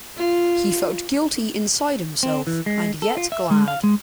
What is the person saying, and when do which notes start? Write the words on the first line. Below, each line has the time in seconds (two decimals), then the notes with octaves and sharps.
He felt guilty inside himself, and yet glad.
0.17 F4
2.23 C4
2.47 E3
2.66 G#3
3.02 A4
3.17 F4
3.32 E5
3.51 G#3
3.68 F5
3.84 G#3